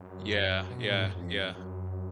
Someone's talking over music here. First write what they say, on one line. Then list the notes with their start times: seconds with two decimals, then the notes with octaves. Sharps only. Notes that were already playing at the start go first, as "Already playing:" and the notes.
Yeah, yeah, yeah.
Already playing: F#2
0.71 B2
0.83 A#2
0.94 G#2
1.06 F#2
1.18 F2
1.54 F#2